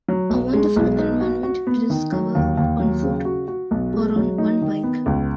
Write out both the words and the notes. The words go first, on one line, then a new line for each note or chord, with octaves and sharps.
A wonderful environment to discover on foot or on one bike.
F#3
B1
G#3
B1
D#4
F#4
F#4
B3
D#3
F#3
D#2
D#2
F#3
C#3
F#4
F#4
B1
G#3
F#3
D#4
D#3
B3
C#2